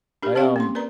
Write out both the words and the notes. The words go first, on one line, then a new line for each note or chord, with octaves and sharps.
I, um
D4 G4 A#4
C4 G4 D5 F5 G5
A#3 C#4 C6
A#4 B4 D5 A#5